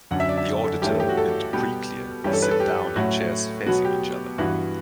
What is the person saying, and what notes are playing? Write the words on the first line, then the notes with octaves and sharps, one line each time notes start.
The auditor and pre-Clear sit down in chairs facing each other.
F#2 D3 F#3 C#4 F#5
E5
D5
E5
A4
G2 E3 A3 C#4 G4
A4
G4
F#4
A4
B2 G3 B3 G4
G2 E3 G3 C#4 G4
A4
B4
A4
G4
A2 F#3 A3 C#4 F#4
B2 F#3 B3 F#4
G4
G2 E3 B3 F#4